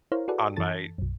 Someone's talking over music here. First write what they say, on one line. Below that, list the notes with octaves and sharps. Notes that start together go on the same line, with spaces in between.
on my
E4 A#4 C5 C#5 F5 A#5
F#4 G#4 A4 B4 D5 F#5
F#2 E3 A4 A5 A6
B1 F#2